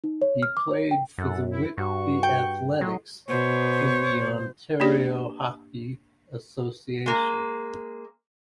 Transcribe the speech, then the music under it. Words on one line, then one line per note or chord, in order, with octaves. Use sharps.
He played for the Whitby Athletics in the Ontario Hockey Association.
D#4
C#5
F6
D6
C#5
G5
F#2 E4 A4 F#5
E4
G2 F#4 C#6
G5
F2 F#3 D#5 C6
B2 C5 C#5
A#3 D4 G4 D5
G#3 A#3